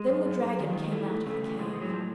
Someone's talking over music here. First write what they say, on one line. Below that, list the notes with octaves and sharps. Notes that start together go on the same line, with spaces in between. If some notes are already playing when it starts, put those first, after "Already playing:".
Then the dragon came out of the cave.
Already playing: G#3
F#2
F#2
F#2
D#3
D#3
E3 A3
E2
C#3 A3
E2
A2 G#3
A2
F#3
F3